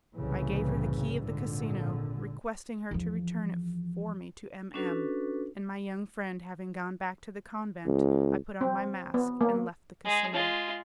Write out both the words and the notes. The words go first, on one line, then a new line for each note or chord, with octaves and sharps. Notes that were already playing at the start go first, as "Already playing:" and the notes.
I gave her the key of the casino, requesting her to return it for me to M---- M----, and my young friend having gone back to the convent, I put on my mask and left the casino.
F#1 C2 A2 C#3 E3
G#1 A#2 D3
E2 F3
C#4 D4 F#4 A4 B4
C#2
C4
B3
A#3
G#3 G#4
G#3 F4